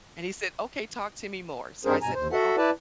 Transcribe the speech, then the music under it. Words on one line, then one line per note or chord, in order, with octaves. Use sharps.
and he said, "Okay, talk to me more," so I said, "Well,"
G2 C4 D4 G#4 A#4 C5
G2 B2 G#5 A#5
D#2 C5
F#4 A4 E5 F#5
E4 B4 D5 A5